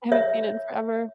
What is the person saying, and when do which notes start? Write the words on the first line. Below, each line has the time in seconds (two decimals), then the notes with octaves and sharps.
I haven't seen it in forever.
0.12 C#5 E5